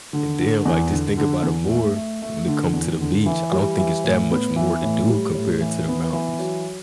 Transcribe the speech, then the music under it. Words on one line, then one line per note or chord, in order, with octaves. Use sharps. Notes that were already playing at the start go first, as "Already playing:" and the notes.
and then like just think about it more when it come to the beach. I don't think it's that much more to do compared to the mountains.
D3
D3
E2
D3
D3
E2
A3
A3
A3
D3
E2
D3
E3
G3
E3
A2
B3
E3
A2
G3
A2
E3
B3
E3
F#3